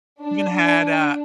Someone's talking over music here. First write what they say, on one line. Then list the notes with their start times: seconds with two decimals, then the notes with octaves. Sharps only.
even had a
0.21 D4